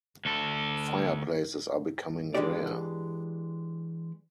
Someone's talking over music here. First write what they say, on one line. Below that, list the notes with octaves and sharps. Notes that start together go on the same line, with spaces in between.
Fireplaces are becoming rare.
D2 A4
E3 G#3 D4 G4 D5